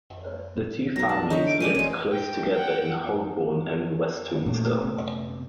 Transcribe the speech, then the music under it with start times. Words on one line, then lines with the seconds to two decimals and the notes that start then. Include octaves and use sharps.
The two families lived close together in Holborn and Westminster.
0.96 B1 F#3 A#4 A#6
1.09 D4 A5
1.30 D3 D#4 C#5 E5
1.47 D7
1.60 C#2 C#3 C4 D5 D#7
1.75 A1 G#3 C#4
2.12 G5
2.54 F#5 G5
4.46 A#2 A3 C#4
4.82 C3 B3